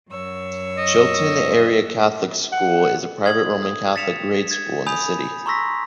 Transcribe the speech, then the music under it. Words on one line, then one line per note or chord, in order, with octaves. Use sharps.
Chilton Area Catholic School is a private Roman Catholic grade school in the city.
F#2 C#5 E6
D#5
F#5
D#6 G#6 F#7
D#6
A6 B6 C#7 E7 F7
G#6 A6
G#5 B5 D#6 G6 F7
A#5 C6 C#6 E6 A#6 B6